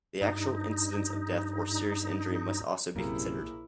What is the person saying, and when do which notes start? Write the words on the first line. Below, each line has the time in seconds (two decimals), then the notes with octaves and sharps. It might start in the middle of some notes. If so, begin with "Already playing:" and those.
The actual incidence of death or serious injury must also be considered.
0.21 G2 D#4
2.96 A#1 F#2 C3 A#3 E4 G#4 A#4